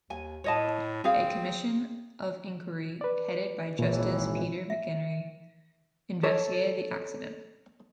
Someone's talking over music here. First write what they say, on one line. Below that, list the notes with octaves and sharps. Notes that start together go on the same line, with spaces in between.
A Commission of Inquiry headed by Justice Peter McInerny investigated the accident.
D#2 G#5
A2 C#5 D#5 A5
C4 G#4 F5
B4 D5
G#1 A#2 E3 C#5
E5
A4 C#5